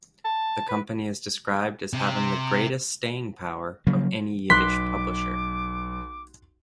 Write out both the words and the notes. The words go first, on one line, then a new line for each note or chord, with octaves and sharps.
The company is described as having the greatest staying power of any Yiddish publisher.
A5
B4
C3
C#3 F3 F#3 A#3
B1 C6 D6 F#6 B6